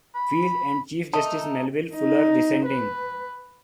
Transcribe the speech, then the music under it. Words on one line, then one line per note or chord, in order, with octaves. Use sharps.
Field, and Chief Justice Melville Fuller dissenting.
B5
A3 D#4 A5
D#4
B4